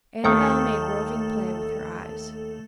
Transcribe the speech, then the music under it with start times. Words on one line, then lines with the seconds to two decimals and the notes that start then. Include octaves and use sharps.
Annabel made roving play with her eyes.
0.24 D#2 D#3 A3 A4